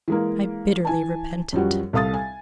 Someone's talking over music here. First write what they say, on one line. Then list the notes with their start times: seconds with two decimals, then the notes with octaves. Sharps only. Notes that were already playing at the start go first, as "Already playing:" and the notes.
I bitterly repent it.'
0.08 E3 G#3 A#3
0.85 E3 G#5 A5
1.53 F#2 F3 G3 F#4
1.93 C2 A4 F5 D#6 A6
2.14 G#5